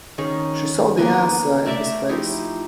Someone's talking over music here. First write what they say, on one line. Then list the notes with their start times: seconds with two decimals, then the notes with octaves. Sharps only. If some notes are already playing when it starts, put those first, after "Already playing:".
She saw the answer in his face.
0.18 D#3 C#4 G#4
0.97 A#3 B3 G#5
1.66 A3 A#4 D5 E5
2.09 F3 D#4 E4 G4